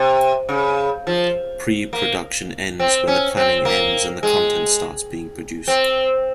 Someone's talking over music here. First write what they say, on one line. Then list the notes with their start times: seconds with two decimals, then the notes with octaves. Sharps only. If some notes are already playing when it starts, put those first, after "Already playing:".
Pre-production ends when the planning ends and the content starts being produced.
Already playing: C3
0.49 C#3
1.07 F3
1.93 A#3
2.80 C4
3.08 C#4
3.37 C4
3.65 A#3
4.23 G#3
5.68 C4